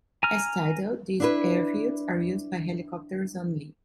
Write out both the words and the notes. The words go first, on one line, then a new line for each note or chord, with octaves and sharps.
As titled, these airfields are used by helicopters only.
G#5 A#5 F6
D4 E4 B4